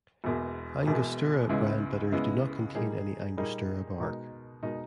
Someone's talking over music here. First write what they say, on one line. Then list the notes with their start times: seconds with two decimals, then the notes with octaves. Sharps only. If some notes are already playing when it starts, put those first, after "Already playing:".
Angostura brand bitters do not contain any angostura bark.
0.24 E1 E2 B2 A#3
0.87 E1 E2 B2 A#3
1.49 C#2 C#3 G#3 B3 E4
2.12 C#2 C#3 G#3 B3 E4
2.74 A#2 G3 A#3 D#4 G#4
3.37 A#2 G3 A#3 D#4 G#4
4.00 B2 G#3 D#4 A#4
4.62 B2 G#3 D#4 A#4